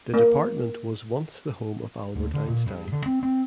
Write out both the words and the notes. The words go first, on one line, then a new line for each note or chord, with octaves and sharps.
The department was once the home of Albert Einstein.
A#3
D2
D3
A#2
G2
D3
C4
C4